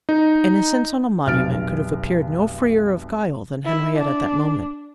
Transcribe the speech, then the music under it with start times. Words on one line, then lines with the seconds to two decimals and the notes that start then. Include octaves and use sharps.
Innocence on a monument could have appeared no freer of guile than Henriette at that moment.
0.09 D#4
1.26 F1 B1 F6 A6 D7
3.65 E4
3.96 D4